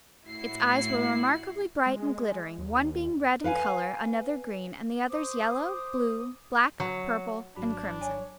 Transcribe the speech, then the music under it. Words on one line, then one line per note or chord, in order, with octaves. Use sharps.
Its eyes were remarkably bright and glittering, one being red in color, another green, and the others yellow, blue, black, purple and crimson.
A2 E4 F#4 C7
G#3
D#2
B4 F5 F#5 G#5
C5 D6 D#6
F#3
G#1 F#3 D4 B5
C#5 G#5